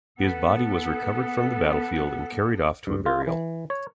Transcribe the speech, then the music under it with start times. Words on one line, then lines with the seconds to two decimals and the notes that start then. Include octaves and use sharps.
His body was recovered from the battlefield and carried off to a burial.
0.20 B3 A4 F#5
2.87 G2
3.06 F4
3.27 E3
3.70 C#5